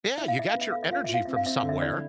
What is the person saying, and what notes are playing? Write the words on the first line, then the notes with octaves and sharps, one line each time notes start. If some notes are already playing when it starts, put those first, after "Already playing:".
Yeah, you got your energy from somewhere.
E4 E5
F5
E4 E5
B3 F5
E5
A4 F5
E5
F4 F5
F4 E5
F5
C4 E5
F5
C4 E5
F5
D3
E5
E4 D5